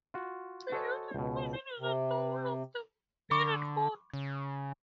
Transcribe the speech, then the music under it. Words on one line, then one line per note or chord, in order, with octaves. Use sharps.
The youth in question is a double of the bearded god.
F4 F#4
F#4 A4 C5 C#5 D#5 G#5
C#2 B2
C3
D3 B5 C#6 D6
C#3